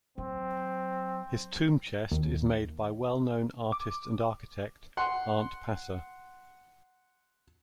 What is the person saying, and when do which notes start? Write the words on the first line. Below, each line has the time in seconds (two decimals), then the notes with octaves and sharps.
His tomb chest is made by well-known artist and architect Arent Passer.
0.18 F#3 C4
2.12 D#2
3.72 D6
4.97 F#5 C6